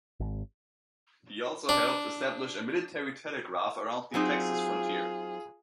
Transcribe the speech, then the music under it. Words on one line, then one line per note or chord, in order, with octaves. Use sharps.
He also helped establish a military telegraph around the Texas frontier.
G#1
D4
F#3 C4 D#4 F4 G#4